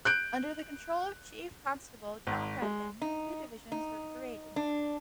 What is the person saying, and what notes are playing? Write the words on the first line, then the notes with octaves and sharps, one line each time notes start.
Under the control of Chief Constable John Redman, two divisions were created.
F#6 G6 D7
G#1
G#3
D#4
D#4
D4